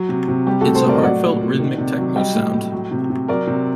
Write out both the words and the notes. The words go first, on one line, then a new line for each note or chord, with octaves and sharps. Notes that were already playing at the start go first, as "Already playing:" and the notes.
It's a heart-felt rhythmic techno sound.
Already playing: F#3 F#4
C3
C3
G3 G4
A2 F#4 A4
A4 C5
A2 A#4 D5
D#5
F#3 D5 F#5
A#2
A#2
D#3
C3
F#3
G3 D#5 G5
A2
A2
F#3
C3
C3
F#3 A#4 D5
C3